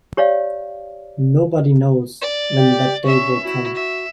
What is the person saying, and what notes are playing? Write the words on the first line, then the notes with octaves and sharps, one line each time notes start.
Nobody knows when that day will come.
G4 C#5 D5 F5
D5
G4
C#4 E5 C#6
E4 F#4
E5